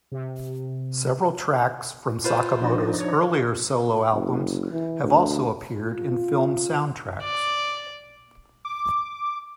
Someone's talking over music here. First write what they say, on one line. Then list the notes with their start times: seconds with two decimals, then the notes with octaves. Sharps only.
Several tracks from Sakamoto's earlier solo albums have also appeared in film soundtracks.
0.12 C3
2.24 F4 B4 C5
2.62 F3 D4 D#4
3.00 C#5
4.13 F#1
4.71 E3
5.04 D2
5.84 F4
7.23 D5
8.65 D6